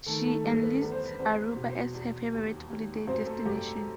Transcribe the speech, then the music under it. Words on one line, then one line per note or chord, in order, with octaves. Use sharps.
She enlists Aruba as her favorite holiday destination.
D#3 A3 A4
A3 A4
G2 B3 B4
A4
B3 B4
E2 B4
C5
B3 B4
E2 C4 C5
B2
E2
D#2
D#2
F#2 C4 C5
A3 A4
F#2 G3 G4